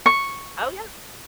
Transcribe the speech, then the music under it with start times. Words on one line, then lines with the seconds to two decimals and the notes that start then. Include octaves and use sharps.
Oh, yeah.
0.06 C#6